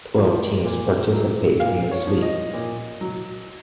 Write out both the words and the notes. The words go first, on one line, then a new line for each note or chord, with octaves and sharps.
Twelve teams participate in this league.
F3
A#2
F#3
A#2 F5
C#5
F3
D#5
A#2
F#3